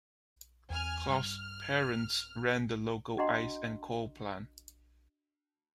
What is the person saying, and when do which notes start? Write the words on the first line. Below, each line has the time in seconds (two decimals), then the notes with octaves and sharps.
Clough's parents ran the local ice and coal plant.
0.70 E2 C4 G#5 F6
1.08 G2 G3 F6
3.18 D4 F#4 D#5 F#5 A#5 C6